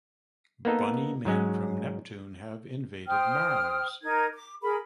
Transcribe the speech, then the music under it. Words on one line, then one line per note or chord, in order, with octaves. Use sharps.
Bunny men from Neptune have invaded Mars!
A#3 B3 D#4 A4
G#2 F#3 G#3 C#4
C5 G5 D#6 F6
D#4 A#4 G#6
D6
G#4 A#4 B5